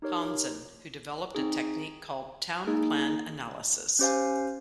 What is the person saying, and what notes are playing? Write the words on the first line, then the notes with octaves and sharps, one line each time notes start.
Conzen, who developed a technique called 'town-plan analysis.
D#4 G4 A#4 C#5
C4 D#4 G#4
A#3 D#4 G#4
C#4 G4 C5 F5 G#5